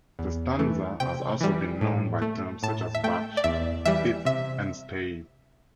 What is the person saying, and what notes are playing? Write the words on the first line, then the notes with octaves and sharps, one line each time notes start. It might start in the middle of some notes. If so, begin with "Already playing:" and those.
The stanza has also been known by terms such as "batch", "fit", and "stave".
E2
E3 A3
C3 G5
E3 G3
A2
A3
A2 A5
E5
A3 G5
D5
E2 E5
E3 G3 E5
C3 E5